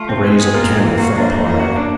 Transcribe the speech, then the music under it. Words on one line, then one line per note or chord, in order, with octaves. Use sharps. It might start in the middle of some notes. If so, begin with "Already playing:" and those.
The rays of the candle fell upon Anne.
Already playing: A3 F4
C4
G#3 B3
G#4
A#3 F4
C4
E3
F#4
D4
A3
E3 A#3
F#4
D4